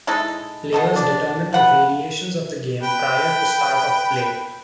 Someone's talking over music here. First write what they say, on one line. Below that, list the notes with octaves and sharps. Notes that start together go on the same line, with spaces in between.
Players determine the variations of the game prior to start of play.
G#3 D#4 E4 A4
B2 A4 D#5
D4
F3 F#5 B5
B4 G5